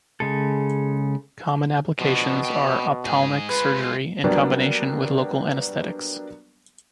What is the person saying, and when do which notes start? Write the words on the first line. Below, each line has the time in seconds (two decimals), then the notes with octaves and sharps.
Common applications are ophthalmic surgery, in combination with local anesthetics.
0.20 C#3 G#3 A4
2.01 B2 F3 D4
2.45 G5 B5
3.06 G#2 G#4
3.50 G#3 F4 B4
4.24 F#3 G3 A#3 B3 D4